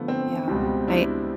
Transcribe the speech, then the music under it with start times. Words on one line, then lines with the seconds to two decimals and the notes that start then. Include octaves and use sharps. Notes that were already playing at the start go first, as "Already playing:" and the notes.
Yeah, I
Already playing: D3 F3 A3 B3
0.08 C4
0.48 C#2 B2 G3 C4
0.88 D4 E4